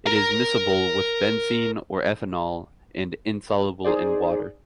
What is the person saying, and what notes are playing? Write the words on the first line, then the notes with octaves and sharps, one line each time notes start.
It is miscible with benzene or ethanol and insoluble in water.
A#4 A#5
D#4 G#4 C5 D5